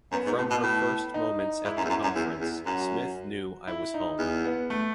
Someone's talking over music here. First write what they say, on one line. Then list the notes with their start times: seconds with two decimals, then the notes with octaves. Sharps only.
From her first moments at the conference, Smith knew I was home.
0.12 F#2 B3
0.26 G#2
0.38 A2
0.50 B2
0.63 A2
1.14 D#4
1.39 D#4
1.64 G#2 E4
1.77 F#2
1.84 E2
1.90 F#2
2.03 F#2
2.16 E2
2.41 E2
2.66 F#2 F#4
3.68 E4
3.94 D#4
4.18 E2
4.45 B3
4.70 A3